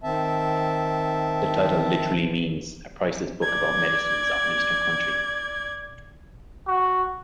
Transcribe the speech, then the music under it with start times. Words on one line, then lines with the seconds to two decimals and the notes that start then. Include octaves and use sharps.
The title literally means "a priceless book about medicines of an Eastern Country".
0.03 D#3 C4 E5 A5
3.42 D5 G#6
6.68 F#4